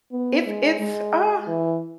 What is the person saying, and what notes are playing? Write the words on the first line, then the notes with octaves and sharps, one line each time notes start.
it's it's, uh
B3
G#3
G#3
E3